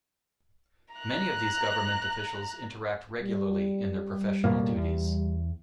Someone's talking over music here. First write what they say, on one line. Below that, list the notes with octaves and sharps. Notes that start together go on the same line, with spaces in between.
Many of these government officials interact regularly in their professional duties.
A#5 F#6
G3
A1 B2 A#3
E2